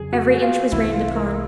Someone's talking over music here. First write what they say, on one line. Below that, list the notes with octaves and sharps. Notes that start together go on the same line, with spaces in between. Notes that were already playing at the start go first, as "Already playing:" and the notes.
Every inch was rained upon.
Already playing: F2 C#3 F#3 G#4
F#4
F4
C2 C3 E3 A3 E4
F4
A#4